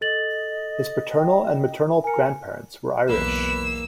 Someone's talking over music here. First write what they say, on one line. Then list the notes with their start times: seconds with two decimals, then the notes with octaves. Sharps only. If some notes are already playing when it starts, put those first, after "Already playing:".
His paternal and maternal grandparents were Irish.
0.01 A4 D#5 A6 F#7
1.19 G5
2.04 A#4 G#5 C#7
3.09 B1 E2 A#3 B4 E6